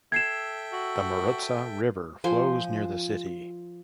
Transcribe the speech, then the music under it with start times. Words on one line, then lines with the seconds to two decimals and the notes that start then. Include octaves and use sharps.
The Maritsa River flows near the city.
0.12 A4 E5 G5 G#6 C7 E7
0.73 F#4
2.24 F3 C5 G#5